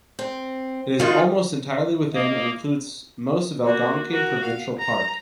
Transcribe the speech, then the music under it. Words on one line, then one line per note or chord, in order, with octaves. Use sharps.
It is almost entirely within and includes most of Algonquin Provincial Park.
C4
D#3 F4 F#4
A#3 D#5
A#3 F#4
F#4 A#4
F5
A#5